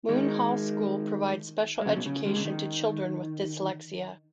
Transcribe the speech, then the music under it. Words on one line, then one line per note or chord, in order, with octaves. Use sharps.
Moon Hall School provides special education to children with dyslexia.
D#3 G#3
G#3
C#3 F#3
B2
C#3
D#3 G#3
C#3
D#3